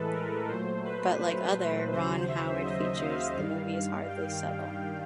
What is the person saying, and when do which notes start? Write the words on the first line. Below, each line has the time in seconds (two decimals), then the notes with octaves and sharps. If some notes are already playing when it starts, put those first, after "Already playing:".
But like other Ron Howard features, the movie is hardly subtle.
Already playing: A2 E3 G#3 A4 B4
0.13 A#4
0.48 A#2 F#3 A3 C5
0.85 B4
1.20 B4
1.92 D#2 C#3 F#3 C5
2.28 E5
2.65 D#5
3.00 F5
3.35 G2 D#3 G3
4.08 G5